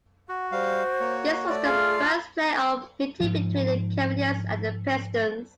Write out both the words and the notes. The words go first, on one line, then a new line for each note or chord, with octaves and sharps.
This was the first playoff meeting between the Cavaliers and the Pistons.
F#4 F#5
G3 C5 F5
A#3 C#5
A3 C#5 D5
F4 G#4 F5
G#2 F3